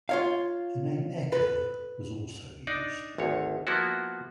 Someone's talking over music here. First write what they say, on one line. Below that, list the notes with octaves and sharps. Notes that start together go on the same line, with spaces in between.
The name "Echo" was also used.
F4 C#5 F5
B4
D4 D#4 D5
G#1 D2 C#5
F3 A#3 B3 E4 F#4